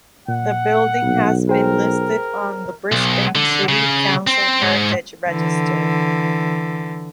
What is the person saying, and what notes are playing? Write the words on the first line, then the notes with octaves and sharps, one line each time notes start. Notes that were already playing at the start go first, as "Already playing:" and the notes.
The building has been listed on the Brisbane City Council Heritage Register.
A#2 F#5
B1
G#4 A#4 C5 G5
B1
D3
C#3
C4
G#2
D3 E3